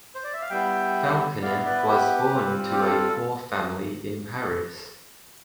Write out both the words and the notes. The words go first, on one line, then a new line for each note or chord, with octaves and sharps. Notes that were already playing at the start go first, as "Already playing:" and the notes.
Falconet was born to a poor family in Paris.
C5
D5
E5
F5
G3 B3 E4 E5 G5
B3 E4 D5 F5
B4 D5
G4 B4
G3 C4 F4
G4
A4